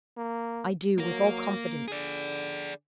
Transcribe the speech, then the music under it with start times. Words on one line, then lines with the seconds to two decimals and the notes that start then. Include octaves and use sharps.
"I do, with all confidence."
0.17 A#3
0.98 F#3 A#3 A#4
1.88 D3 G#4 D5